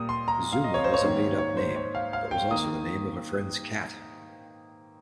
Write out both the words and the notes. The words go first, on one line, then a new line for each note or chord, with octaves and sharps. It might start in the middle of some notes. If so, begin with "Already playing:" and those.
Zuma was a made-up name but was also the name of a friend's cat.
Already playing: A#2 G3 A#3 D#6
C6
A#5
F5
D#5
C#5
C5
C#5
G#2 D#3 A#3
C#5
C5
C#5
F5
F5
G5
D#3 A#3 D#6